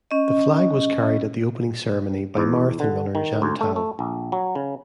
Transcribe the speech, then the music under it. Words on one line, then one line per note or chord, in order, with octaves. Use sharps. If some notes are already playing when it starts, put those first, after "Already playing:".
The flag was carried at the opening ceremony by marathon runner Jan Tau.
C#4 D#5
E2
D3
D#3
D2
A3
A3
A#1
F#3
C#3